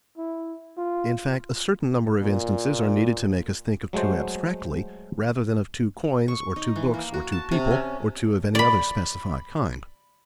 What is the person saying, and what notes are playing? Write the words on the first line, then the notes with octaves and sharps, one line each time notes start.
In fact, a certain number of instances are needed to make us think of two abstractly, rather than of two coins or two books or two people, or two of any other specified kind.
E4
F4
A#2
F#3 G#3 A3 F#4 C5
C#6
D#4
E3
A#3
F#4
A5
C3
C#4
D5 B5